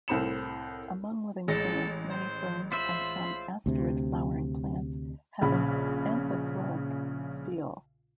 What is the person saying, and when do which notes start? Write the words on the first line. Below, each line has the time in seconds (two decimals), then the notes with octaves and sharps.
Among living plants, many ferns and some Asterid flowering plants have an amphiphloic stele.
0.08 C2 A2 C4 B5 C#7 E7
1.48 A1 G#3 A4 A#6
2.10 C5
2.72 F4 C5 E5 B5
3.66 D2 C3
5.41 A#1 C#3 B5